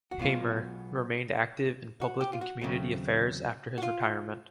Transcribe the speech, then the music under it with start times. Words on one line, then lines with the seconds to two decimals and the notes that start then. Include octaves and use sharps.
Hamer remained active in public and community affairs after his retirement.
0.11 F#4
0.19 B1 B2 G#3 B3 F4
2.01 F#4
2.21 G4
2.33 F4
2.41 F#4
2.61 D#2 C#3 F#3 A3 C4
3.78 F#4
3.83 F4